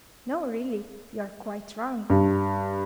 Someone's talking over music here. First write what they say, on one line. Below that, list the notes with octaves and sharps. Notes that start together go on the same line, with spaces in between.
'No; really you are quite wrong.
G2